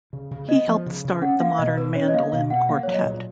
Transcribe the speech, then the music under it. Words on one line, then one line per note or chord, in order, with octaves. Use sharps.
He helped start the Modern Mandolin Quartet.
C#3
C#3
B3 D#5
F3
C#3
C#3
C#4 F#5
A#3 F5
F5
B2 D#5
B2 B4
C#4 C#5
D#5
A#3 F5
D#5
B2 F5
B2 F#5
A#3 F5
F#3 C#5
D#5
A#2